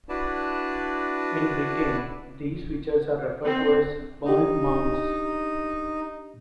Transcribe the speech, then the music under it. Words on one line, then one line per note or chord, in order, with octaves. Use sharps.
In Britain these features are referred to as 'burnt mounds'.
D4 E4 F#4 B4 D5 A5
C4
D4 D#4 G4